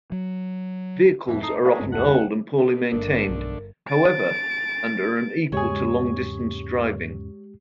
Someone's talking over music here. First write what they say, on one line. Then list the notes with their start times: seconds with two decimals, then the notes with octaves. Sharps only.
Vehicles are often old and poorly maintained, however, and are unequal to long-distance driving.
0.12 F#3
1.27 D1 F2 B2 E3
1.42 A3 D#4 C7
1.63 A2 F#3 G#3 D5 F5
1.79 G1 C#2 G2
1.92 F1 C2 A3 F#5
2.13 G4 G5
2.58 A3 B3
2.92 G1 D3 A3 D4 A#4
3.28 B1
3.88 A6 D7
5.52 E2 G#2 C#3 G#3 G4 G#4 C#5